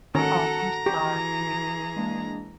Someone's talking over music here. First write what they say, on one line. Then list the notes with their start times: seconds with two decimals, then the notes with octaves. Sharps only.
Oh, I'm sorry.
0.15 D#3 C#4 F#4 A4 F#5 A#5 D7
0.86 E3 G4 G#4
1.96 G#3 A#3 D4